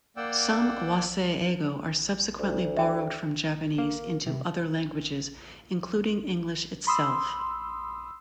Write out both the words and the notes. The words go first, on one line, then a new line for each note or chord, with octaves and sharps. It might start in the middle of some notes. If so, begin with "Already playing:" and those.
Some "wasei-eigo" are subsequently borrowed from Japanese into other languages, including English itself.
A#3 D5 F#5 G5 E6
D2
E5 G5
A#3
C3
B5 C6 D#6 E6